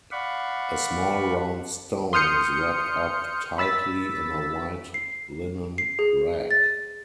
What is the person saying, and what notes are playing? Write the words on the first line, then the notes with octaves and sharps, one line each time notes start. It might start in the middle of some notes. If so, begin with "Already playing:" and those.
A small round stone is wrapped up tightly in a white linen rag.
D5 F5 F#5 B5 C#6
C6 D#6 F6 G6 C#7
B5 E6 A6 B6
C7
C7
G#4
A6